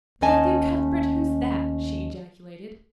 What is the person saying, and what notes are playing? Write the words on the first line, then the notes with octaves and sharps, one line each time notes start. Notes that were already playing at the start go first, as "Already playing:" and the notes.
"Matthew Cuthbert, who's that?" she ejaculated.
D#2 A3 C#4 D#5 G#5 A5